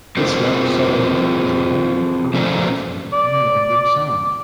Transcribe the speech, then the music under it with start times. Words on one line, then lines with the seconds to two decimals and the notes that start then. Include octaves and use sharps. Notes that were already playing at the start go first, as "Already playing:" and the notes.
This left Sutherland as the only permanent resident in Milford Sound.
0.17 C4 E4 F4 G#4 A#4 C5
2.34 F3 A3 C#4 C5 D5 A#5
3.13 D5